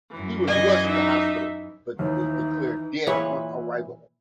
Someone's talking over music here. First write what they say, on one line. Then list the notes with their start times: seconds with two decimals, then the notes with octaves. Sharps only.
He was rushed to hospital but was declared dead on arrival.
0.10 F#2 E3
0.48 D#5 G#5
0.87 D#4 E5
1.99 D#2 E3 D#4
3.07 A#2 E3 E4 G#4 B4 C#5